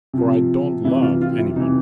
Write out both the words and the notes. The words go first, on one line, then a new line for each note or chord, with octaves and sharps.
For I don't love any one.
C3 F3
C3 E3 E4
F4
F4
E4
C3 E3 D#4